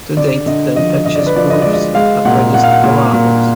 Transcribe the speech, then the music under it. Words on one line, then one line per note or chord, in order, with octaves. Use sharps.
To date, the Infectious Grooves have released four albums.
D3 D5
D3 D#5
F3 D#5
D3 D#5
D5
B4
F3 D5
D#5
G#3 D5
D#5
G#3 F5
A#2 F#5
A#2 F#5
F5
F#5
A#2
A#2